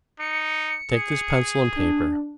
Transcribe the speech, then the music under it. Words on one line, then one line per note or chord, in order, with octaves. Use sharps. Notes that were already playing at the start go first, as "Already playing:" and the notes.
Take this pencil and paper.
D#4 C#7
G#4
D4